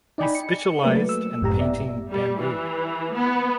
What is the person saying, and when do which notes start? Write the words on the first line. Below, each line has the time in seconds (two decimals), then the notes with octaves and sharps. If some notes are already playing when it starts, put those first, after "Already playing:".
He specialized in painting bamboo.
0.18 D#4 D5 D#5 G5 G#5 B5
0.35 C#7
0.83 F#3 A3 A#3 B4 D5
1.09 E6
1.41 G1 F#2 A2 G4 A#5
1.57 B3 D5 E5
2.11 G3
2.40 E3
3.15 B3